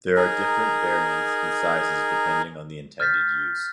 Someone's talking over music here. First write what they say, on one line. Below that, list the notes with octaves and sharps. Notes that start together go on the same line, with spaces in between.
There are different variants and sizes depending on the intended use.
D#4 G#4 A#4
F6 G6 A6 B6